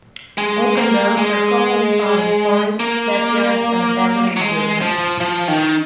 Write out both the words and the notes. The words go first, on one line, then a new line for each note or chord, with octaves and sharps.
Open dumps are commonly found in forests, backyards and abandoned buildings.
G#3
A#3
G#3
A#3
F#3
G#3
F3
F3
D#3